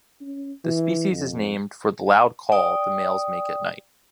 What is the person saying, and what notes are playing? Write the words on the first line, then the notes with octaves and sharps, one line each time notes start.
The species is named for the loud call the males make at night.
C#4
E3
F2
D5 G5 D#6